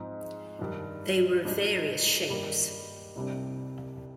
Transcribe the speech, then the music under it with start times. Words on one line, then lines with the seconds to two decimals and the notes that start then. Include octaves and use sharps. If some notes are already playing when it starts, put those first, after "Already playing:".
They were of various shapes.
Already playing: G#2 F3 C4 D#4
0.59 G2 D#3 G3 D4
1.45 G#2 G3 D4
2.30 G2 D#3 G3 A#3
3.16 C2 C3 G3 D4